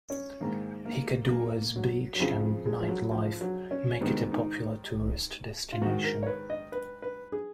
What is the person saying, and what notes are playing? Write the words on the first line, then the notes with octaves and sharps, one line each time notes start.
Hikkaduwa's beach and night life make it a popular tourist destination.
C#4
G#2 D#3 A#3
A#3
B3
A#3
F#3
F#3
F2 C#3 F3
G#3
F3
F#3
F3
F#3
C#4
G#2 D#3 B3
D#4
F4
G#2 D#3 F#4
A#4
C#5
B4
D#5
B4
B4
G#4